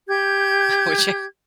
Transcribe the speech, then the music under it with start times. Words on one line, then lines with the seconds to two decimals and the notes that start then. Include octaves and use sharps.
Would you?
0.08 G4 G6 G#6